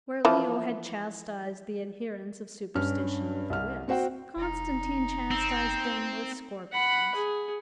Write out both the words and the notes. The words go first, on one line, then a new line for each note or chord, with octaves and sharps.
Where Leo had chastised the adherents of superstition with whips Constantine chastised them with scorpions.
E3 F3
G2 C#4 F6
C2 F6
C4 F#4 C5 F#5 G5
F1 D#4
C4
F#5 B5
G#4